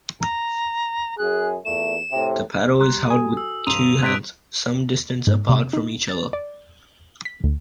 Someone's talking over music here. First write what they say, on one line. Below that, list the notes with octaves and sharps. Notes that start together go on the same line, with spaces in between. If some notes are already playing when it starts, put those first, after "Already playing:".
The paddle is held with two hands, some distance apart from each other.
A#5
F#2 G#4 F#6
E2 A#2 A3 E7
A2 C3
G3 A#5 C6 F#6
F#4 A4 G#5 D#6
E6
D#1 G2 A#5 C6 D#6 D#7 F7
C3 F#6 B6 D7
G#2
C3
D#4
A6
D5
B6
D2